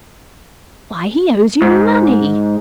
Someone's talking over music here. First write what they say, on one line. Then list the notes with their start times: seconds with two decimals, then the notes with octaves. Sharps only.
Why, he owes you money!'
1.62 G#2